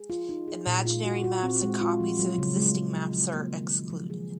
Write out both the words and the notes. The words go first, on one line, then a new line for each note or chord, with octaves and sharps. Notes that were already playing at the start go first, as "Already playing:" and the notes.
Imaginary maps and copies of existing maps are excluded.
Already playing: G#4
F4
D#4
G#4
A#2
F4
F#4
F#4
C4
G#3
F4
F3
F#3
C#3
G#3
G#3
F#3
F#3
A#3
D#3
A#3
F3
G#4